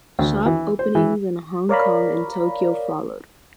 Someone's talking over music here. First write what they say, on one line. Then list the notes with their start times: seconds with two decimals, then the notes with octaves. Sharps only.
Shop openings in Hong Kong and Tokyo followed.
0.19 D2
0.46 E3
0.79 C5
0.95 E3
1.69 A#4 C#5 D5 F5 A#5 B5